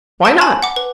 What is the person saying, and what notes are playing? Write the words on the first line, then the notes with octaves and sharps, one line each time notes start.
"Why not?"
A5
G#5 A5 B5
F#5 D6
B4